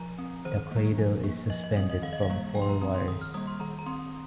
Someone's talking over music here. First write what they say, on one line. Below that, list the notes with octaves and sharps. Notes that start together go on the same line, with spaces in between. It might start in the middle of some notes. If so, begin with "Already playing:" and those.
The cradle is suspended from four wires.
Already playing: F3 A#5
C4
D#3 C5
G3 A#3
F3
A#3
F3 D#5
D#5
C4 D#5
D#5
D#3 F5
D#5
F5
G3 A#3
F3 G5
C6
A#5
C4 A#5
C6
D#3 D#6
F6
G3 A#3 D#6
C6
D#3 A#5
A#5
C4 C6